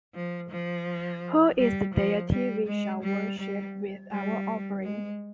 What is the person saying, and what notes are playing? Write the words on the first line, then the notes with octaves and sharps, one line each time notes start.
Who is the deity we shall worship with our offerings?
F3
F3
G3
F3
G3
G#3
G3
G3
G3
G#3